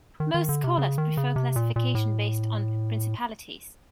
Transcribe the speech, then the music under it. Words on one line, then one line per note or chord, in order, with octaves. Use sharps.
Most scholars prefer classification based on principalities.
D#3
D#3
D3
C3
C#3
D#3
C#3
C3
A#2
A#2
A2